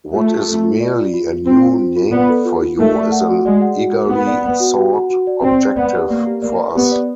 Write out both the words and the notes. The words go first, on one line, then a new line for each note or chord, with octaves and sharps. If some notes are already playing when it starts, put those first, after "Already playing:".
What is merely a new name for you is an eagerly-sought objective for us.
A3 F4
F4
A4
F4
D5
F4
F4
F4
C4 F4
F4
F4
F4
B3 D5
A4
F4
F4
A3 A#4
D5
F#5
F#4
G#3 D5
F#5
F#4
A#4
B3 F#5
D5
F#5
F#4
F#4
F#5
F#4
D5
C4 D5
D5
B3 D5
G4
A#3 D5
G4
A#3 D5
D5
B3 G4
D5